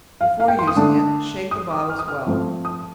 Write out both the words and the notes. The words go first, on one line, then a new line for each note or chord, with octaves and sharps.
Before using it, shake the bottles well.
F5
F5
G5
C6
D#6
D3 A3 D4
D#6
D6
F6
D#6
F6
F3 A3 C4
D#6